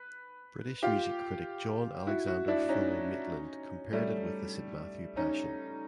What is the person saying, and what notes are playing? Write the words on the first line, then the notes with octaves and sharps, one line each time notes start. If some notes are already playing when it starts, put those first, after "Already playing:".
British music critic John Alexander Fuller Maitland compared it with the "St Matthew Passion".
Already playing: B4
F4 G4
E4 F#4
E4 F#4
D4 E4
C#4 D#4
G3 A3
C#4 D#4